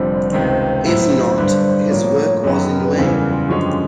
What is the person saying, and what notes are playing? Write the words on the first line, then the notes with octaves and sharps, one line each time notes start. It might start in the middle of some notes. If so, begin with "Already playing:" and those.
If not, his work was in vain.
Already playing: F1 F2 D3 G3 C5
C#2 C3 D#3
A2 F#3 B3 E4 C5
G2 D3 G3
A2 F3 A#3 C#5
F#2 D#3 F#3 B3
A4
A#4
B4
E2 C#3 E3 G3 C5
A#4
F4
F#2 D3 F3 G#3 C#4 F#4
G4